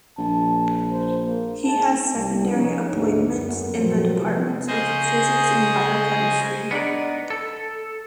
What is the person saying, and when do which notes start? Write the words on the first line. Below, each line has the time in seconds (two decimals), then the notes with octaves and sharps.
He has secondary appointments in the departments of Physics and Biochemistry.
0.18 A#1 A5
0.91 C5
1.25 A#3
1.66 G#2 A5
2.15 C2 G3
2.51 F3 C#4 D#4
2.91 D2 G#2 A3
3.35 F#2
3.76 A#2 F3 F#3 G#3 C4 A#4
4.17 E2 C3 F3 G3 A3 B3
4.68 C#3 G#4 C5 D#5
6.71 B3 D4 D#4 D5
7.30 A4